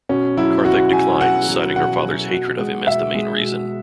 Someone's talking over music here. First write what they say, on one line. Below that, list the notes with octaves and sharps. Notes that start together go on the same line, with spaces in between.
Karthik declines, citing her father's hatred of him as the main reason.
B2 C#4
F#3 E4
B2 F#4
F#3 G#5
B2 F#5
F#3
B2 F#5
F#3
B2
G#3
B2 E5
G#3
B2